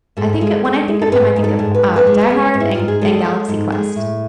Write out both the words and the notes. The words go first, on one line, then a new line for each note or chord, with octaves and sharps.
I think when I think of him, I think of, uh, "Die Hard" and and "Galaxy Quest"
G#2 A4
G#3
G#3
G#3
A4
G#2 B4
G#2
A4
G#2
B4
G#2
B4
G#3
G#3
G#2
E4
G#2 F4
G#4
G#3 A4
G#3
G#2
G#3
A2